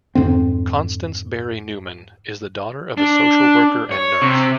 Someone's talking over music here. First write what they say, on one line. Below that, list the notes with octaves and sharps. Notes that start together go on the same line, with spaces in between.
Constance Berry Newman is the daughter of a social worker and nurse.
F2 G#2 D3 C4
D4
C#5
C3